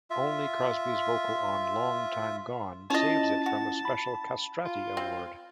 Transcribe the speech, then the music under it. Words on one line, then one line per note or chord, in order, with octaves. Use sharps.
Only Crosby's vocal on 'Long Time Gone' saves it from a special castrati award.
F4 E5
C#4 E4 F4 C#5 D#5 A5
F#4
B5
F4
C4